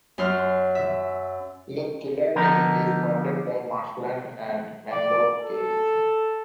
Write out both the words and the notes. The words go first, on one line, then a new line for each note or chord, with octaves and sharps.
Lake Killarney is bounded by marshland and mangrove cays.
F#2 C6 F6
E5
D3 F3 B3 D#4 A#4
D5
A4